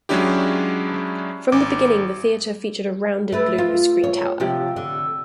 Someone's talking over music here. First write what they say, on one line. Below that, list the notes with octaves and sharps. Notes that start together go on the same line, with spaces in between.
From the beginning, the theater featured a rounded blue screentower.
F#3 G#3 C#4 D4 E4 G4
G#1 D6
A3 B4
F4
C#5
C3 F3 G4
D3